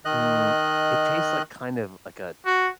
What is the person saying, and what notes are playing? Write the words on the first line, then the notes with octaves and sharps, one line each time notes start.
mm, it tastes like, kind of, like a
D#3 D#5 F#6
F#4